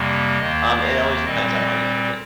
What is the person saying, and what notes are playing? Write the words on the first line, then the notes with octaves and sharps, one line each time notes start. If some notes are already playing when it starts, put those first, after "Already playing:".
um, it always depends on how you cook it.
Already playing: F2 C3 G3 A#3
D#2 D#3 A#3 D#5
F5
A#2 G3 C4 D#5
D#5
C5